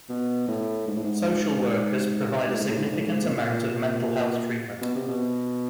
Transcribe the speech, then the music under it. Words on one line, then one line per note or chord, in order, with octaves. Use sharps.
Social workers provide a significant amount of mental health treatment.
B2
A2
G#2
A2
G#2
G#2
A2
G#2
A2
G#2
A2
G#2
A2
G#2
A#2
A2
A#2
B2
C3
B2